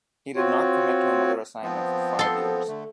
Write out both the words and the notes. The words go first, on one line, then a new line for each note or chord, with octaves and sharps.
He did not commit to another assignment for five years.
C4 F4 F#4 C#5
F3 B3 C4
A4 C6
D3 A3